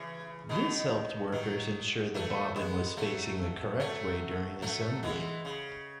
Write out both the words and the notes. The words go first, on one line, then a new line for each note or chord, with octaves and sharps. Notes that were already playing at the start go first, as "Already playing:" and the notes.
This helped workers ensure the bobbin was facing the correct way during assembly.
Already playing: C#3 E3
B2 D#3
D#3 F#3
F#3 A3
G#3 B3
F#3 A3
F#3 A3
F#3 A3
E3 G#3
C#3